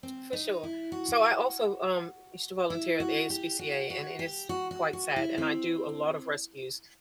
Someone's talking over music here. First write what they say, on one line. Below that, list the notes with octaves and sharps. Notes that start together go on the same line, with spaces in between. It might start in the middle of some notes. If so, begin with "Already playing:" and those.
For sure. So, I also, um, used to volunteer at the ASPCA, and it is quite sad, and I do a lot of rescues.
C4
D#4
E4
F#4
E4
F#4
G4
F#4
F#4
G4
F#4
F#4
F#4
E4
C4